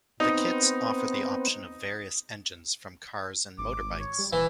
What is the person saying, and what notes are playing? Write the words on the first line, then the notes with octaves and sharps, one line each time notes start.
The kits offer the option of various engines from cars and motorbikes.
B3 C4 D#4
G#1 D6
C#5
G3
D#1 E3 E4